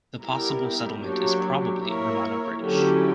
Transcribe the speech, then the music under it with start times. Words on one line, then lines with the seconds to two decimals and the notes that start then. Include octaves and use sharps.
The possible settlement is probably Romano-British.
0.21 G3 B3 E4 G4 A#4
1.00 F#3 A#3 D4 G4 C#5
1.80 A#3 E4 A#4 C#5
2.60 D3 F#3 C#4 E4 G4